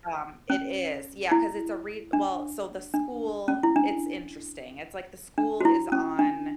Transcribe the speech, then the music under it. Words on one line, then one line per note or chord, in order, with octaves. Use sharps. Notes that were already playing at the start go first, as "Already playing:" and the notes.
Um, it is. Yeah, 'cause it's a re well so the school it's interesting, it's like the school is on,
C#4
E4
D4
D4
C#4
E4
D4
D4
F#4
E4
C#4
D4